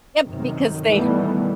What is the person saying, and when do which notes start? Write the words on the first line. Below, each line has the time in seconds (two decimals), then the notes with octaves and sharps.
Yep, because they h
0.25 F#2 C3 D#3
0.88 B2 D#3 E3 G3 A3 B3